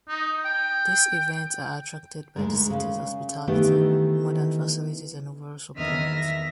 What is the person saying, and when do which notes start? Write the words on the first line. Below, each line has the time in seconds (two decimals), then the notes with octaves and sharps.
These events are attracted by the city's hospitality, modern facilities and overall support.
0.08 D#4
0.45 G5
2.36 D2 A#2 G#3 G#4 A#4
2.70 C#3
3.47 D#3 E3 A3 B3 D#4 G4
5.74 E2 D#3 E5 D#6 F6
6.14 E5 A#6